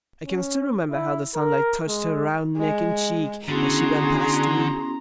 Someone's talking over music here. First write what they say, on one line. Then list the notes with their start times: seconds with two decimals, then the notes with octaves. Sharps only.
I can still remember how the sunlight touched her round neck and cheek as she went past me.
0.25 C#4
0.90 E4
1.34 A#4
1.88 G#3
2.58 G#3
3.49 D3 B3 C#4 E4 F#4 G#4 A#5 C6